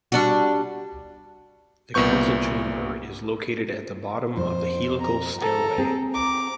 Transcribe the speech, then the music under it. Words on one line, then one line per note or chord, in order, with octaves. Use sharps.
The council chamber is located at the bottom of the helical stairway.
G3 D4 F#4
C2 A#2 B3 C#6 G6
F2 C5
A#5
A4 A#5
C4 G#4
A#5 D6